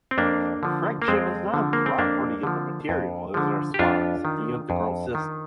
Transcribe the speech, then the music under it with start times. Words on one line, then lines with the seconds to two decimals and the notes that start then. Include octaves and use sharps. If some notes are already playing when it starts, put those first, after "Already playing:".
Friction is not a property of the material, it is a response of the integral system.
0.11 C4
0.18 F2 A#3 D4
0.63 D3 F3
1.02 A#3
1.08 F2 G#3 C4
1.54 D3 F3
1.73 A#3
1.86 C4
1.98 F2 A#3 D4
2.43 D3 F3
2.89 F2
3.34 D3 F3
3.74 G4
3.79 F2 D4 F4
4.25 D#3
4.70 F2
5.15 D#3